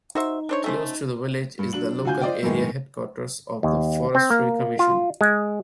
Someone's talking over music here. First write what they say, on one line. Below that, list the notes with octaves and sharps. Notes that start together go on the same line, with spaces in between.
Close to the village is the local area headquarters of the Forestry Commission.
D#4 F#4 C5 E5
D4 C5 C#5
A3 C#4 C5
G2
F#3 D4 F#7
D3 F4 F#4 G#5 G6
F4 C5 D5 D#5 G5
F#2 A2 D#3 G#3 A#3 B3
D#2
C4
A#3
F4
G#3